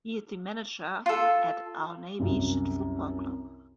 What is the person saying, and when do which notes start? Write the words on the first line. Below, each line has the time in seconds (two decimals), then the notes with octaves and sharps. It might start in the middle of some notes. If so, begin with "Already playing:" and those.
He is the manager at Al-Nabi Chit football club.
1.06 F4 A4
2.19 C2 F#2